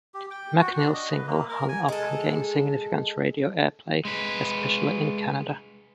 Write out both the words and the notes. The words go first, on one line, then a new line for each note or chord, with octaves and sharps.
McNeil's single "Hung Up" gained significant radio airplay, especially in Canada.
G4
G5
F#4
D4
D#5
B4
A#3
A#4
G#5
G#3 A4
G#3 B4